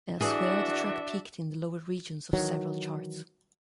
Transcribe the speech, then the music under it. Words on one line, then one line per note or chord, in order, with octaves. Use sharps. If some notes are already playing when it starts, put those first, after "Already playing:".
Elsewhere, the track peaked in the lower regions of several charts.
E3 D4 F#4 G#4 D5 E5
D#3 E3 F#3